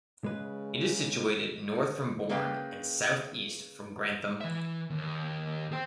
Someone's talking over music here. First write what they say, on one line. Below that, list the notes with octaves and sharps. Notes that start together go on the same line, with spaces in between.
It is situated north from Bourne, and south-east from Grantham.
C#3 G#3 B4
C#3 A#3 B4 F5 G5
E3 E5
D#2
C5 G5